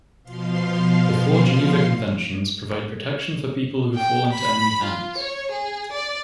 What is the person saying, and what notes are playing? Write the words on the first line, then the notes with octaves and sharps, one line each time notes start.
The four Geneva Conventions provide protection for people who fall into enemy hands.
B2 F3 F5 C6
G5
B5
F4
C#5
G#4
D5